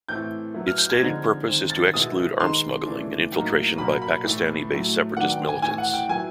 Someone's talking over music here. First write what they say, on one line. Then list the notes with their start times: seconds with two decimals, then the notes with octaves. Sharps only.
Its stated purpose is to exclude arms smuggling and infiltration by Pakistani-based separatist militants.
0.09 A2 E3 A3 C4 E4 G6
0.54 F#3 B3 E4
0.67 F6
0.78 G6
0.90 G#6
1.01 D3 F3 G#3 C4 D#4
1.48 D#3 G#3 C4
1.70 A6
1.94 B2 G#3 B3 E4 D#6
2.39 D#3 G#3 B3 D#4 C6
2.85 C#3 E3 A3 D4
3.32 A2 F#3 A#3 D#4
3.78 B2 F#3 A#3 B5
4.02 B5
4.24 A2 E3 A3
4.71 A2 F#3 A3
5.16 D#3 F#3 B3 D4 F#5
5.32 G5
5.48 G#5
5.62 A2 E3 A3 G#5
5.78 F#5
5.93 G5
6.09 F#3 B3 E4 G#5